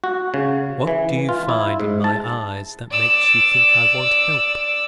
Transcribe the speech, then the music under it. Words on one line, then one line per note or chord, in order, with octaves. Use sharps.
"What do you find in my eyes that makes you think I want help?"
F#4
C#3
E3
F4
E4
G#2
A5
D5 E6